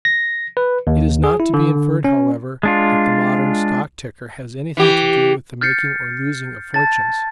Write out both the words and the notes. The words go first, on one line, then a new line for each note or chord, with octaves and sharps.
It is not to be inferred, however, that the modern stock ticker has anything to do with the making or losing of fortunes.
A#6
B4
D#2
G#4
E4
D3
C#4
G#3 D4 F4
E3 G4
F6 G6 A6 C7 C#7
A5 A6